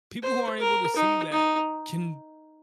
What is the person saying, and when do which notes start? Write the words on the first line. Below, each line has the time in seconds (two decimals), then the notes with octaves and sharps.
people who aren't able to see that can
0.23 C5
0.59 A#4
0.96 D#4
1.32 D#4